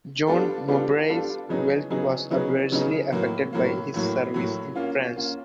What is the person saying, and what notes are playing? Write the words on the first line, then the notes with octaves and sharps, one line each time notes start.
John Mowbray's wealth was adversely affected by his service in France.
G3 B3 D4 F4 A4
G3 B3 D4 F4 A4
G3 B3 D4 F4 A4
C#3 F#3 B3 D#4 G#4
C#3 F#3 B3 D#4 G#4
C#3 F#3 B3 D#4 G#4
C#3 F#3 B3 D#4 G#4
A2 F#3 A#3
A2 F#3 A#3
A2 F#3 A#3
A2 F#3 A#3
A#3 C#4 F4
A#3 C#4 F4